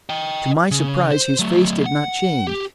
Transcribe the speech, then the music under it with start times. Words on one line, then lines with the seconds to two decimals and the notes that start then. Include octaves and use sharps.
To my surprise his face did not change.
0.10 D#5 G5
0.71 C#3
1.12 C5
1.39 F#3 A3
1.86 F#5
2.47 G4